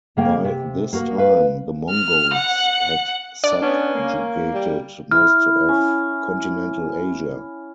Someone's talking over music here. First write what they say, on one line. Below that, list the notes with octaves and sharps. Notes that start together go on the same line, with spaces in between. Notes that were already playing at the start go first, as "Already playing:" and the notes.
By this time the Mongols had subjugated most of continental Asia.
C#3 A#3 G5
C3
A#3 F#4 A#4
B4 F5
F6
F#5
D4 D5
B3 C#4 D4
A#3
G3
E4 F6
C#4